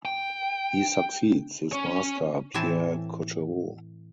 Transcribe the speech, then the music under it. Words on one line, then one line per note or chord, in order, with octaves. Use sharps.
He succeeds his master Pierre Cochereau.
G5
C#4 C#5
A2 E3 C4 G#5 A5